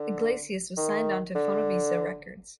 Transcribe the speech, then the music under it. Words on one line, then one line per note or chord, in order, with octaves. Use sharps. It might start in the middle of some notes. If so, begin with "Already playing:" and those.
Iglesias was signed on to Fonovisa Records.
Already playing: D3
D#3
D3